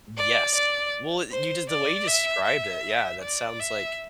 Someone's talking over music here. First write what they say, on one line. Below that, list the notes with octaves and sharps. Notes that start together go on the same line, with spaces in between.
Yes. Well, it you j the way you described it, yeah, that sounds like
D5
D5
C5
D5
E5
E5
D5
E5